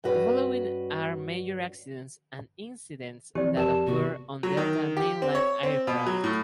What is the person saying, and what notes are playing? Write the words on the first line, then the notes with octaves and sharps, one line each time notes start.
The following are major accidents and incidents that occurred on Delta mainline aircraft.
G2 C#4 F#4 B4
E3 F3 C4 G4 D5
F2 G4 A#4 A5
G#1 C3 B3 F#4
F#3
D#3
G4
C4
C#5
C4
B2
F#3
A2